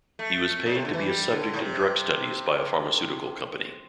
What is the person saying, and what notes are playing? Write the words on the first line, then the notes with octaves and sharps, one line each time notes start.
He was paid to be a subject in drug studies by a pharmaceutical company.
A3
A2
C3
D3
E3
G3
D3
A2
C3